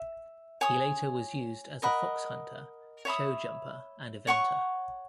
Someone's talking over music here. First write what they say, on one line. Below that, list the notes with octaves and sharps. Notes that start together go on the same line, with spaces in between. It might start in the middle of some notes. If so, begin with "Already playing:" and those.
He later was used as a fox hunter, show jumper, and eventer.
Already playing: E5
C#5 G#5 D#6
A#4 D#5 F#5 B5
C#5 E5 B5 D#6
C#5 F#5 C#6